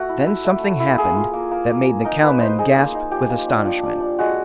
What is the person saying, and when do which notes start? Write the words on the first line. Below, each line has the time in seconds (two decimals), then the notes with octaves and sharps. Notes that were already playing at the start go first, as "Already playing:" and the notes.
Then something happened that made the cowmen gasp with astonishment.
Already playing: A3 F#4
0.09 E4
0.27 E4
0.45 A3
0.63 A3
0.80 E4
0.98 A#3 G#4
1.17 F4
1.34 A#3
1.51 A#3
1.69 A#3
1.87 A#3
2.05 D#4 A#4
2.23 A#3 B4
2.40 D#4 C5
2.59 D#4 G#4
2.76 A#3
2.94 D#4
3.11 F3 G4
3.30 A#3
3.48 D4
3.65 F3
3.84 D4
4.01 D4
4.19 G#3 F#4